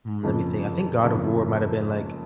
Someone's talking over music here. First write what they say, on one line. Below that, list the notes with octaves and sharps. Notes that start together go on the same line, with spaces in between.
mm, lemme think I think God of War might have been, like
F#1 F2 C#3 F3
F#1 F2 C#3 F3